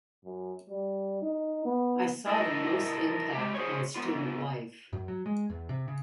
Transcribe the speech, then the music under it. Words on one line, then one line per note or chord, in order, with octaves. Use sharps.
I saw the most impact on student life.
F#2
G3
D#4
B3
E4 A4 A#4 D#5
G#3 G4
G#4 C5 C#5
B3 F4
F#2
F#3
G#3
E2
C3
C#3